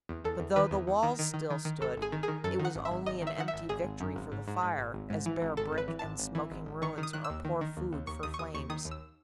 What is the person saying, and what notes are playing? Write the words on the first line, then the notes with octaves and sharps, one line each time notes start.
But though the walls still stood, it was only an empty victory for the fire, as bare brick and smoking ruins are poor food for flames.
E2
E2 A4
E2
D#3 B4
E2
E2
D#3
D#3
D#3
D#3
D#3
G#1 A4
G#1 G#4
D#3
G#4
D#3
F#2 A4
D#3
F#5
G#1
E5
G#1
G#1 D#5
D#3 E5
D#3 F#5
E5
G#1
G#1 G#4
G#1
F#2
G#1
G#2
G#2
G#2
G#1
G#1
G#2
E3
G#1
G#1 A4
G#1
B4
E3
G#1 A5
G#1
E3
G#1
G#1
D#3 C#6
D#3
D#6
D#3 F#6
E6
D#2
D#3
D#3
D#2
D#2
D#2 C#6
D#2 D#6
C#6
D#2 D#6
D#2 C#6
D#3 D#6
D#2
E6